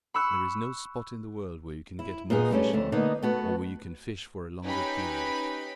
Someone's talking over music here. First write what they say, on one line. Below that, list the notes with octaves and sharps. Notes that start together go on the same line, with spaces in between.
There is no spot in the world where you can get more fishing, or where you can fish for a longer period.
B5 C#6 E6 F#6
E4
A#2 B3 D#4 G#4
G3 A3 C#4
F2 D3 A3
D3 A#3 B3 D#4 D#5
A3 B3 F#4
C#4 D#4 G4 B4 B5